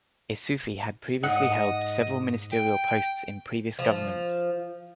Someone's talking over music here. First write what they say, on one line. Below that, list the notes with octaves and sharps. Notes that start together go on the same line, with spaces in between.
Issoufi had previously held several ministerial posts in previous governments.
G#2 D#5 F#5 D#6
G5
F3